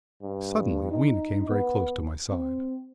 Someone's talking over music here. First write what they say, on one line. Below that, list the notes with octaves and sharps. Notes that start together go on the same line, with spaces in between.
'Suddenly Weena came very close to my side.
G2
D#4
B3
C4